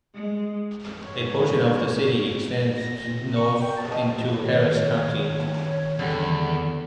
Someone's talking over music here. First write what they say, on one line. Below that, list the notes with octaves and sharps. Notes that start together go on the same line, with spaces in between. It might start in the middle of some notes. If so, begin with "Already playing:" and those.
A portion of the city extends north into Harris County.
G#3
G#2 C#5
A#6
A#2
C3
C#6
G5
A5
D#5
D#3 C#5
E2 D3 G3 F#5